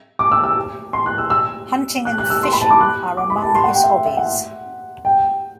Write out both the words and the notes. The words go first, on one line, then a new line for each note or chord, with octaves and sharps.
Hunting and fishing are among his hobbies.
D6
E6
E6
C6
F#6
E6
E6
F#6
F#6
E6
C6
B5
A5
D6
F#6
D6
B5
A5
C6
F#5
G5
E5
E5
F#5
G5